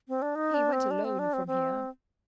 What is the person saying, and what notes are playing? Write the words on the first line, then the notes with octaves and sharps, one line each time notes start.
He went alone from here.
C4
D4
D#4
D4
C4
D4
C4
D4
C4
C4